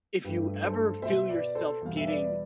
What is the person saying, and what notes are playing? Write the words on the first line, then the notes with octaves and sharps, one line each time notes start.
if you ever feel yourself getting
G2 F3 A3 G4 B4
A4 C5
B2 B3 C5 E5
B4 D5
A4 C5
E2 B2 G3 B3 F5
E5
B4 D5